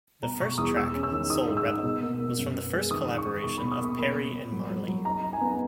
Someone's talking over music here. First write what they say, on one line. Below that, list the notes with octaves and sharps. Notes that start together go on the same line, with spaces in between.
The first track, "Soul Rebel", was from the first collaboration of Perry and Marley.
B2 A#5
B2 C#6
E2 D#6
G#3 E6
C#4
E6
D#3
D#4 D#6
G#2
E6
D#4
B2
A#3
A#3
F#2
B3
G#3
D#3 D#6
D#3
C#6
D#3
B2 C#6
B2 B5
D#6
A#3 C#6
A#3 B5
A#3
A#3
F#3
F#3
F#3
D#4 A#5
D#4
G#5
B3